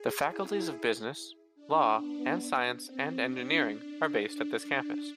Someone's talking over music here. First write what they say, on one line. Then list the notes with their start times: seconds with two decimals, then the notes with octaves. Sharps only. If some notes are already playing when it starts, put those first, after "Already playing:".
The faculties of Business, Law, and Science and Engineering are based at this campus.
Already playing: G#4
0.29 E4
1.55 D4
1.98 B3
2.82 C4
3.24 D4